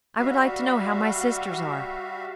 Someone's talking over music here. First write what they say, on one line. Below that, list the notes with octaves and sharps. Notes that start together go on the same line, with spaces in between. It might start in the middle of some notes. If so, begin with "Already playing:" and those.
I would like to know how my sisters are.
G3 F#4 E5 F5